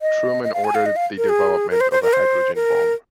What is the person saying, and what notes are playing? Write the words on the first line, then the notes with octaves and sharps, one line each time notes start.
Truman ordered the development of a hydrogen bomb.
D#5
D#5
F5
G#5
F5
D#5
F5
A#4
G#4
A#4
C5
C5
A#4
C5
A#4